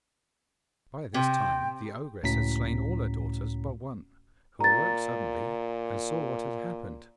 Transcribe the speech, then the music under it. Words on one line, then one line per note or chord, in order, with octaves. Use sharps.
By this time the ogress had slain all her daughters but one, who awoke suddenly and saw what had happened.
C3 G5
C#2 A2 C#4 F#4 A#5 B6
A#2 A#5 A6